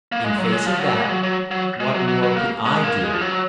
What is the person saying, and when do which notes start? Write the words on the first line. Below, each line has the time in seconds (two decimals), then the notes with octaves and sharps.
In face of that, what more could I do?
0.12 A#3
0.24 G#3
0.38 F#3
0.52 G#3
0.66 F3
0.80 F#3
0.95 A#3
1.04 G#3
1.09 F#3
1.23 F#3
1.51 F#3
1.80 G#3
1.94 F#3
2.08 F#3
2.23 F#3
2.36 A#3
2.66 G#3
2.84 A#3
3.04 G#3
3.14 F3
3.21 F#3